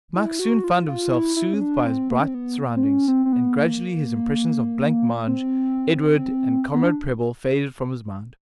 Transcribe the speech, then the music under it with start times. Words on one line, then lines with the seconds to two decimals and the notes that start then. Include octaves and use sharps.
Mike soon found himself soothed by his bright surroundings, and gradually his impressions of blancmange, Edward, and Comrade Prebble faded from his mind.
0.15 E4
0.39 F#4
0.64 F4
0.88 F4
1.12 E4
1.36 E4
1.54 C#4
1.61 D4
1.86 C4
2.10 A#3
2.20 C#4
2.28 C4
2.34 B3
2.77 C4
2.84 C#4
3.08 C4
3.26 C4
3.33 B3
3.57 A#3
5.27 C4
6.74 B3
6.83 D4